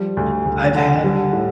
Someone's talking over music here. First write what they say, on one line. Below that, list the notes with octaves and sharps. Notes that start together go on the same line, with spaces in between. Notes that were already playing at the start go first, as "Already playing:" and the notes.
Y I've had
Already playing: F3 G3
D2
D2
D3
G3
A2